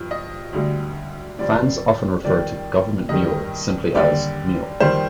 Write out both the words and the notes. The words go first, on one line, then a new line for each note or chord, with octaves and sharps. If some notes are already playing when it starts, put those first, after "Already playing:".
Fans often refer to Gov't Mule simply as "Mule".
Already playing: G2 F3
D#5
D2 D3 G3
F2 D3 G3 D5
F2 D#3 G3 D5
G2 D#3 G3 D#5
D#2 D3 G3 D5
F2 D#3 G3 C5